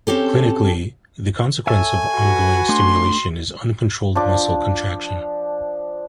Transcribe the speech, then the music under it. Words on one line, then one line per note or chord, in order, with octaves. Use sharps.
Clinically, the consequence of ongoing stimulation is uncontrolled muscle contraction.
C4 C#4 G4 A4
A4 C#5 E5 G#5
F#4 B4
A3 D4 C6
F3 D4 D6